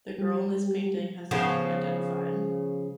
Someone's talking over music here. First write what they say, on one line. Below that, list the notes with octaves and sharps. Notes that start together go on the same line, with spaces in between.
The girl in this painting has not been identified.
G3
C#3 F3 B3